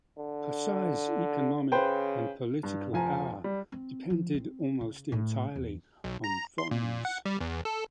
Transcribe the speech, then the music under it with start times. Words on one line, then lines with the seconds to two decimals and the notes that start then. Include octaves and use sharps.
Pasai's economic and political power depended almost entirely on foreigners.
0.17 D3
1.72 C#3 B4 C5 G5
2.63 G2
2.93 F1 F3 G#5 A#5
3.44 G3
3.72 C4
4.10 F3
4.34 C4
4.81 C#3
5.12 A2
5.55 E2
6.04 B1
6.24 A#5
6.58 C6
6.71 A#2
7.05 F#5
7.25 G3
7.40 E2
7.65 A4